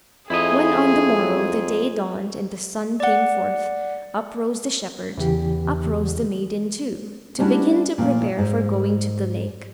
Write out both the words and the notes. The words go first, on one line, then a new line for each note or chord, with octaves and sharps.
When, on the morrow, the day dawned and the sun came forth, up rose the shepherd, up rose the maiden too, to begin to prepare for going to the lake.
F2 E4 G#4 D#5
D5 F#5
E2 C#3 E3 G4
G3 A3 C#4 D4 E4 F#4
A#2 F3 A3
G#2